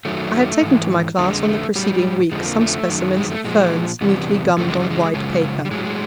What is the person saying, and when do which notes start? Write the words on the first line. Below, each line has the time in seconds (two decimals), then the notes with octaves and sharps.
I had taken to my class on the preceding week some specimens of ferns neatly gummed on white paper. . . .
0.05 F#2 D#3 F#3 A3
0.62 G#2 E3
1.18 F2 D3 F#3 A3
1.31 G#3
1.43 A3
1.75 A2 F#3 G3
2.32 F2 D3 F3 G#3
2.46 A#3
2.61 A3
2.89 F#2 D#3 F#3
3.17 G#3
3.30 A3
3.45 A#2 F3 G#3
4.01 E2 C3 E3 G3
4.57 F#2 C#3 E3 A3
4.68 G#3
4.80 G3
4.90 G#3
5.14 F#2 C#3 F3 G#3
5.65 G3
5.71 A2 F#3 G#3
5.85 G#3